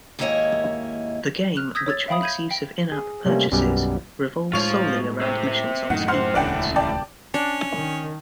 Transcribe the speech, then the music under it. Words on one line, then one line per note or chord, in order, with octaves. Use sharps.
The game, which makes use of in-app purchases, revolves solely around missions on speedboats.
D#2 G#2 A#3 E4 C#5 D#5
F6 F#6 F7
D#6 E6 G6 G#6 A#6 B6
C#5 E6 G#6 A6
E5 F5 G5 B5 D#6
B5 G6 G#6 D#7
G5
G#4
C3 G3 A3 A#3 C#4
B1 F#2 G3 B3 D5 G#5
A2 F3 G#3 F4 C#5 F7
C3 C4
F#2 A2 D#3 F#5
C3 C5 F#5 C6 F6
D#1 C#2 A2 E3 D4 F#5 G5
D5 G5 A5
C#4 D4
D#3